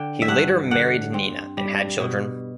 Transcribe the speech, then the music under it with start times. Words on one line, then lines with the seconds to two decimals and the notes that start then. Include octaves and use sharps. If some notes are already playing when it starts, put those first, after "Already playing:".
He later married Nina and had children.
Already playing: D3 G5
0.22 E5
0.28 G2 F#5
0.71 D3 F#5
1.14 C4
1.57 G3
2.00 B2